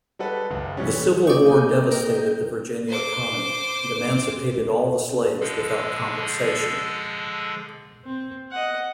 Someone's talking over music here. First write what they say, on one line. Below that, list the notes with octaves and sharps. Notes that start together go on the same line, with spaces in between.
The Civil War devastated the Virginia economy, and emancipated all the slaves without compensation.
G3 G#3 F#4 A4 B4
F#1 C#2
E3 G3 C#4
A#3 D5 D#5 G5 C#6
A#4
C5 D6
D3 F3 G#3 G#4 A4
C4
D#5 F#5